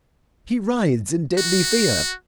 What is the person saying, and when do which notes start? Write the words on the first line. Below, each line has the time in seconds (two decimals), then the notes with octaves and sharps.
He writhes in deadly fear.
1.38 F#4